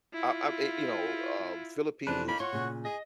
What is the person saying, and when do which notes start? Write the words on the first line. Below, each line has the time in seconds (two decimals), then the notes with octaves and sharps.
I, um and you know, uh, Philippines-
0.14 E4 F4
2.07 F2 E3 D4 B4 C5
2.28 A#3 C#4 D#4 B5
2.40 F4 F#4 C#5 F#5 C6
2.53 A#2 C#3
2.85 G#4 D#5